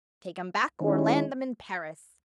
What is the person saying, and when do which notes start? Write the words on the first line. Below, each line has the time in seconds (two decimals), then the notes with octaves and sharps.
Take 'em back, or land them in Paris.
0.80 D#3 G#3 C#4 E4